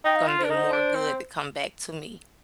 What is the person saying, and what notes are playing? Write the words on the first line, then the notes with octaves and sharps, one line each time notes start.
gonna be more good that come back to me.
D#4 G5
F5
F4
C5
D4
A#4
D#4 C5
D4
C4